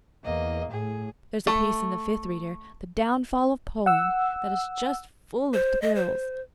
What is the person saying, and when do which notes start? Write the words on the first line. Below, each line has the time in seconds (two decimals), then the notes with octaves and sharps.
There is a piece in the Fifth Reader--'The Downfall of Poland'--that is just full of thrills.
0.24 E2 A#3 D#5
0.71 A2 G#4
1.47 A3
3.86 F#5 E6
5.54 C5
5.82 D#5
5.95 C5